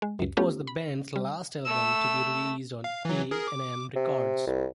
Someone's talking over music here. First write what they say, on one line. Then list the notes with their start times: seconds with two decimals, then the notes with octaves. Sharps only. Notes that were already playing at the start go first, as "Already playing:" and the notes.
It was the band's last album to be released on A and M Records.
0.02 G#3
0.19 C#2 F#2
0.37 A3 B3 C#4 F4 G4
0.67 B5
1.16 G3
1.65 A3 E6
2.84 F5
3.05 E3 F#3
3.31 G#4 A#4
3.47 D6
3.96 C3
4.47 C2